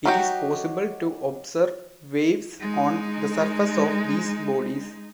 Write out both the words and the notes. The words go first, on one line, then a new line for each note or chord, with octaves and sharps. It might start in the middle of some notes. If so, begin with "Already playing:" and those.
It is possible to observe waves on the surface of these bodies.
F#3 D#4 F#4 G4
G#3 D#4